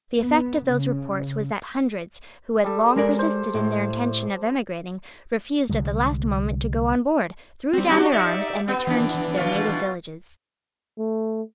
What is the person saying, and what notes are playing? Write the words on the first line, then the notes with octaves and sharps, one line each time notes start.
The effect of those reports was that hundreds, who had long persisted in their intention of emigrating, refused at the last moment to go on board, threw down their arms, and returned to their native villages.
B3
C#3
G3 A4
G#3 A#4 D5
C5
A2
C2 D3 G3 G#3
G3 C4
D4 F#4 G4
D#4 D5 E5
B3
E3 D4
B2 F4
A3